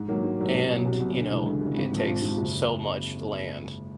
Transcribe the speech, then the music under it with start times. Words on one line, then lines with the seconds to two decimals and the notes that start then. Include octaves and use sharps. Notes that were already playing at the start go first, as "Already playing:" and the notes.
And, you know, it takes so much land.
Already playing: G#2
0.08 D#3 F#3 A#3
0.24 G#2
0.39 D#3 F#3 A#3
0.54 C2
0.69 B2 F#3
0.85 C2
1.00 B2 F#3
1.15 D2
1.31 C#3 E3 G#3
1.46 D2
1.61 C#3 E3 G#3
1.76 G#1
1.91 G#2 F3
2.07 G#1
2.22 G#2 F3
2.37 F#1